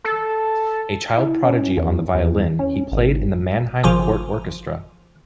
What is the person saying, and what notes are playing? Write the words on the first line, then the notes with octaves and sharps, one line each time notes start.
A child prodigy on the violin, he played in the Mannheim court orchestra.
A4
E4
C#4
E2
E2
C#4
G#1
G#1 C#3 F3 F4 G#5 D6